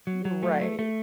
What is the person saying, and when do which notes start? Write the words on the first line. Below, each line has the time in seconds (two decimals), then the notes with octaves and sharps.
Y right.
0.07 F#3
0.25 F#3
0.43 A3
0.61 A3
0.79 A3